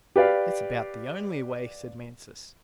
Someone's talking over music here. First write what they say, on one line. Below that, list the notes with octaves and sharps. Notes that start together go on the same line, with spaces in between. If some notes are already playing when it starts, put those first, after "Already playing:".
"It's about the only way," said Mansus.
G4 B4 D5 F5